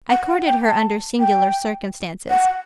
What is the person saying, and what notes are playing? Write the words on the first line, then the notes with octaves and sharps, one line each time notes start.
I courted her under singular circumstances.
F#5
F#5
G5
A5
G5
F#5